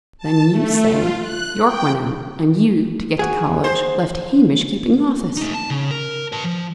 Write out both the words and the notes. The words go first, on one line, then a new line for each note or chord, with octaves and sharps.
Then, you say, Yorke went out; and you, to get to college, left Hamish keeping office!
A5
A3
F4
F#6
G5
F#4 G#4
C5
A3 D#4
A5
C#3
A#4
B4 A5
F3